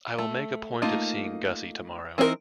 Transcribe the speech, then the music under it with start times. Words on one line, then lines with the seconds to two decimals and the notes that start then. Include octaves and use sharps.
I will make a point of seeing Gussie tomorrow.
0.19 A3
0.82 A3 A#3 D#4 F4
2.18 E3 C4 D#4 F4 A#4